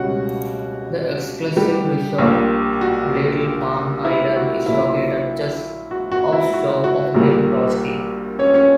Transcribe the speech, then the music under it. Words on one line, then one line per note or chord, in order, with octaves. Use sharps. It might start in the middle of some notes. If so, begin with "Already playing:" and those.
The exclusive resort, Little Palm Island, is located just offshore of Little Torch Key.
Already playing: C#2 B2 G3 C#4 F#4 F#5
G3 G4
A#1 A#2 A#3
F#4
E4
F#4
A#1 A#2 F#3 E4
F#4
F#4
E4
F#4
F#4
A#1 A#2 G3 A#3
C#4 C#5
C#4 C#5